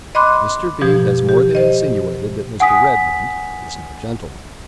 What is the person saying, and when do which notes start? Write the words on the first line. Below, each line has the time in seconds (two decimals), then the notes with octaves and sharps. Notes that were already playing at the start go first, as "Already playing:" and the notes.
Mr. B. has more than insinuated that Mr. Redmond is no gentleman.
0.15 D#5 B5 C6 D6 F#6
0.81 B2 F3 G4
1.29 G4
1.55 C5 D#5
2.60 F#5 G#5 D#6 B6